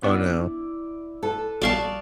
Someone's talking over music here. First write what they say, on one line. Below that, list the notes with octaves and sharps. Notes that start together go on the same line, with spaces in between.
Oh, no.
B3 D4 E4 D5
A4 B4 A5
A#1 G3 D5 F5 A5 C#6 D#6